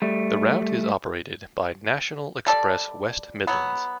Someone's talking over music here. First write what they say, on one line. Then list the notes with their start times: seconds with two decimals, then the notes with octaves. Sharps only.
The route is operated by National Express West Midlands.
0.02 G3 A3
2.47 G3 A4 D5
3.47 F#3 B3